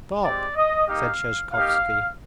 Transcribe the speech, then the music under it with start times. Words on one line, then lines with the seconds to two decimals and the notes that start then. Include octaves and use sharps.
"Stop!" said Sheshkovsky.
0.22 G#3 C4 G4 D5
0.55 D#5
0.87 A#3 D#4 G4 F5
1.52 A#3 D#4 G4 F5